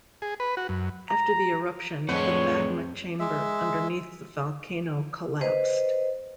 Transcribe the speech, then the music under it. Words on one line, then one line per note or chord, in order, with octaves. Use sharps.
After the eruption, the magma chamber underneath the volcano collapsed.
G#4
B4
F#4
F#2
A#5
F2 A2 G#3 C4 D4 B4 C#5 F#5
G#3 E5
B4 C5 D#5